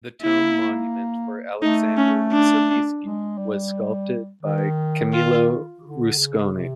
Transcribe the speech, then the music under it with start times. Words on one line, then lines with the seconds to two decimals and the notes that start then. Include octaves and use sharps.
The tomb monument for "Alexander Sobieski" was sculpted by Camillo Rusconi.
0.22 A#3 E4
1.62 A3 D#4
1.97 C#4
2.32 D4
3.03 G#3
3.38 G3
4.43 D#3
5.14 F4
5.84 D3
6.18 C#3
6.54 C3